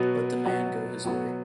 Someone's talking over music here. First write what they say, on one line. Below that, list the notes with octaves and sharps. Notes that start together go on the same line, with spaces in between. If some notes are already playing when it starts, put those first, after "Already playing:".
Let the man go his way'.
Already playing: B2 F#3 B3 F#4
B2 F#3 B3 F#4
B2 F#3 B3 F#4